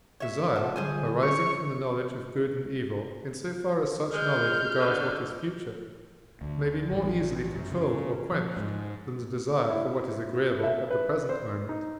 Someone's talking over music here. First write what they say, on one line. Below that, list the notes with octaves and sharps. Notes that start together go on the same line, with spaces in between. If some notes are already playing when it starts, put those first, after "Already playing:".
Desire arising from the knowledge of good and evil, in so far as such knowledge regards what is future, may be more easily controlled or quenched, than the desire for what is agreeable at the present moment.
C#5 E5
A3 F4 C5 F#5
D3 F#3 G3 G#4 C5 G#5
C#5 C#6
G#3 F6 G6
D3
D2
A1
F#2
C#3
F3
G#2
E4
E5
B4
C5
D#4